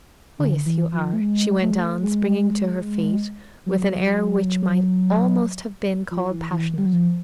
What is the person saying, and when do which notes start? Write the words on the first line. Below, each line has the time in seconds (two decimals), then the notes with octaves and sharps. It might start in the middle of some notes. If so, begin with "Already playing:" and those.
"Oh yes, you are," she went on, springing to her feet with an air which might almost have been called passionate.
0.39 D3
0.66 E3
0.94 F3
1.13 A3
1.21 G#3
1.62 A3
1.70 G#3
1.78 A3
2.03 G#3
3.66 F#3
6.11 F3
6.31 E3
6.52 E3
6.78 G3
6.86 F#3
6.93 F3